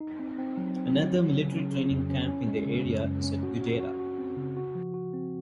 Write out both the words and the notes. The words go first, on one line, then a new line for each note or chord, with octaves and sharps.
Another military training camp in the area is at Guedera.
D#4
C4
C4
F#3
C4
F#3
F#3
C#3
C#4
C#3
F2
C#4
C#4
G#3
C#3
F#2
F#2
C#4
F#4
F#4
F#4
F#4
C4
C#3
F#4
F3
F#4
C4